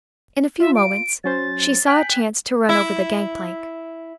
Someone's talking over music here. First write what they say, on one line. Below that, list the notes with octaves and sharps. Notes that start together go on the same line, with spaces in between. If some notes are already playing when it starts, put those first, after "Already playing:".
In a few moments she saw a chance to run over the gangplank.
F4 E5
D7
F#3 C#4 C5 A6
G5 G#5 F#6 B6
E4